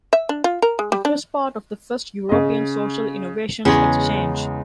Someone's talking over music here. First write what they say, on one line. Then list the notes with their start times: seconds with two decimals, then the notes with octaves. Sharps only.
It was part of the first European Social Innovations Exchange.
0.13 E5
0.29 D4
0.44 F4
0.62 A#4
0.79 G#3
0.92 G3
1.05 D4
2.29 C#3 D#5
3.65 E2 C#3 G#3